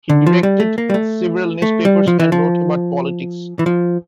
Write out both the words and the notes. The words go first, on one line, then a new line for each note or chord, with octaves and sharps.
He directed several newspapers and wrote about politics.
D3
F3
G3
A3
A#3
G3
A3
A3
G3
F3
E3
F3
E3
F3